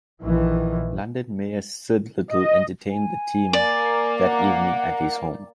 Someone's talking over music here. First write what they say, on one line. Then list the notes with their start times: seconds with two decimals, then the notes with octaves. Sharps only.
London Mayor Sid Little entertained the team that evening at his home.
0.21 A#1 D#3 E3
2.31 D#5
2.90 G#5
3.53 A#3 D5
4.20 F#5